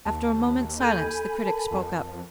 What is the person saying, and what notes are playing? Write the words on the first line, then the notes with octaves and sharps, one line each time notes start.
After a moment's silence the Critic spoke up.
D#2 A5
A4 G#5 B5 G6 G#6 D#7
A#4 A5
F2